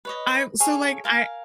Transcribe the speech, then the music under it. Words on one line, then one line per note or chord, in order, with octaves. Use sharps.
I so like I
B4 C#5 D#5
G#4 A4 C#5 F5
A#4 F5 G#5